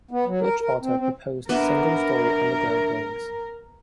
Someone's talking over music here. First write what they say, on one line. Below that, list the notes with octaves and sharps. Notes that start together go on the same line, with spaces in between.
"Butch" Otter proposed single-story underground wings.
B3
F#3
A#4
A#4
C4
C4
B3 D4 A#4 E5